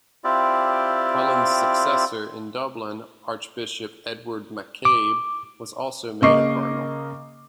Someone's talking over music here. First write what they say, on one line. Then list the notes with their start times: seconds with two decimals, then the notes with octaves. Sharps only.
Cullen's successor in Dublin, Archbishop Edward MacCabe was also made a cardinal.
0.24 C4 E4 F4 G4 D5
4.85 D6
6.22 C#3 A#3 D#5 C#6 D6 C7